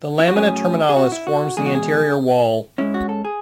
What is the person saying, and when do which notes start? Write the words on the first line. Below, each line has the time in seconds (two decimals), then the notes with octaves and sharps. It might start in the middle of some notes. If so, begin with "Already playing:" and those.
The lamina terminalis forms the anterior wall.
0.19 E4
0.28 F#4
0.36 A2 F#3 C#4 G#4
0.89 G#4
0.96 F#4
1.12 E4
1.27 F#4
1.57 E2 B2 G#3 G#4
1.66 F#4
1.75 G#4
2.78 G#2 G#3 C#4 E4
2.94 F#4
3.09 A4
3.25 G#4